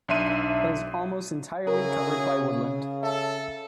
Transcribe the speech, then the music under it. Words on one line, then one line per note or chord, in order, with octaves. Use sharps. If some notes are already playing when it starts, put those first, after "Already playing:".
It is almost entirely covered by woodland.
B1 D4 E5 C6 D#7
C#3 E4 F#4 G#4 A#4
A4 E5